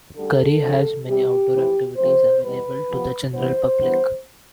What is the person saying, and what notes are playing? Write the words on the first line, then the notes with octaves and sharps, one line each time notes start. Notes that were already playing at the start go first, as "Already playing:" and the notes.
Currie has many outdoor activities available to the general public.
D2 D3 G3 A4
D2 D3 F3 C4
E2 C3 G3 G4
F2 E3 A3 C4
C3 F3 A3 C4 C5
E2 B2 G3 B3 B4
C3 F3 B3
G2 E3 B3 C5
G2 E3 B3